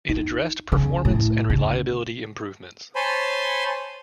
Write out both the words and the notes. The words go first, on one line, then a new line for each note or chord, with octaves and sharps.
It addressed performance and reliability improvements.
D#4
C#3
A2
C#3
C5 C#5 G#5 A5 B5 C6